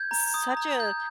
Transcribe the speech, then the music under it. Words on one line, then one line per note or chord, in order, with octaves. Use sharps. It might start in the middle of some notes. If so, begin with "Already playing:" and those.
such a
Already playing: G6 G#6
A#5
D#6
A#5
G6